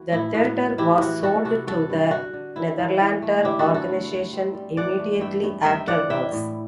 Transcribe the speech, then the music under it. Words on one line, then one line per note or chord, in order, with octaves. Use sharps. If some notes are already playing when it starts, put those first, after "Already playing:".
The theatre was sold to the Nederlander Organization immediately afterwards.
Already playing: E3 F#4
A2 E4
A2 F#4
F#3
E3 E4 G4
E3 F#4
B3 F#4 A4
C3 F#4 A4
G2 F#4 A4
G2
D3 F#4
D3
B3 E4
E3
E3
A3
D3 E4 G4
F#4 A4
G2
F#4 A4
A3
A3
C4
G3
E3 D5 F#5
A3
G2 E5 G5
G2
G2 E5 G5
E3 D5 F#5
E4 E5 G5
A2